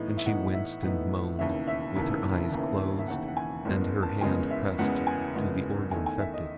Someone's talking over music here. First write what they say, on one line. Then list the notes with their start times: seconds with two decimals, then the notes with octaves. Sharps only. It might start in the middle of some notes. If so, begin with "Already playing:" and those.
And she winced and moaned, with her eyes closed and her hand pressed to the organ affected.
Already playing: A2 E3 B3 D#4
0.17 E5
0.26 A2 E3 B3 D#4 F#5
0.54 E5
0.83 A2 E3 B3 D#4 F#5
1.39 E1 D#2 C#3 E3 E5
1.67 E5
1.96 E1 D#2 C#3 E3
2.52 E1 D#2 C#3 E3
2.99 E5
3.08 E1 D#2 C#3 E3 F#5
3.28 F#5
3.37 G#5
3.65 F#1 E2 C#3 G#3 B3
4.03 A5
4.21 F#1 E2 C#3 G#3 B3 G#5
4.51 E5
4.78 F#1 E2 C#3 G#3 B3 F#5
5.07 G#5
5.35 F#1 E2 C#3 G#3 B3
5.91 E2 D#3 A3 E4 G#5
6.06 G#5
6.20 E5
6.34 D#5